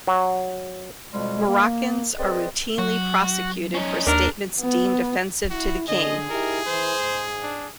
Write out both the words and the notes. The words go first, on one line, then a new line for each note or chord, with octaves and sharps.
Moroccans are routinely prosecuted for statements deemed offensive to the King.
F#3
F2 B2 G3 G#3
A#3
C4 G#4 A#4 B4 D5 D#5
F#3 F#4
C#4 D#4
D#2 D4 A#4
B3
E4 F#4
D3 G#4 D#5
D#4 E4 G4 A#4
E3 C5
G#2
D4